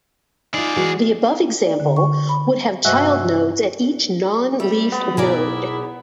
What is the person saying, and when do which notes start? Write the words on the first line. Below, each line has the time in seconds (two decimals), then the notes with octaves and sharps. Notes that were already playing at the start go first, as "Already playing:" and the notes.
The above example would have child nodes at each non-leaf node.
0.54 D#4 F4 G#4 D5
0.76 E3 G#3 F#4
1.64 D5
1.80 D3
1.96 C#6
2.29 B5
2.85 G2 C3 F#4 D#5 E5 G#5 E6 F#6
4.60 G3 E5
4.92 B3
5.17 B1 E4 G#4 A#4 D5